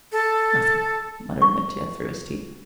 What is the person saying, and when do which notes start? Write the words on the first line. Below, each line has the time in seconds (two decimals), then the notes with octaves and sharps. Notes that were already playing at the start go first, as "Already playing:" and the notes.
"Nothing," muttered Mitya, through his teeth.
0.12 A4
1.42 C#6